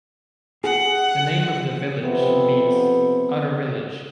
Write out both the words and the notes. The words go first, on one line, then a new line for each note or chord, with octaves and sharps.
The name of the village means "outer village".
G#4 F#5
F2 C3 B3